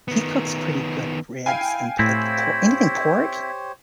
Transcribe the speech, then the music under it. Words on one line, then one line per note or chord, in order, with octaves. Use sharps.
He cooks pretty good ribs and p like, por anything pork.
D#3 B3
E4 F5 G5 G#5
A2 C4 E4 G4 C5 C#5